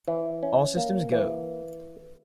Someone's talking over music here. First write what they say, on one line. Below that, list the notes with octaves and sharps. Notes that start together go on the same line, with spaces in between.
All Systems Go!
E3
C#4
A#3
E3